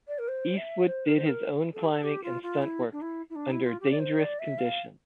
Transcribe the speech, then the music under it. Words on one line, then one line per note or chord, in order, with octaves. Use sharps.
Eastwood did his own climbing and stuntwork under dangerous conditions.
D5
A#4
C5
E5
C5
A#4
C5
A#4
A4
G4
A4
G4
F4
F4
E4
D4
E4
E4
D4
E4
F4
G4
D5
C5
D5
E5
F5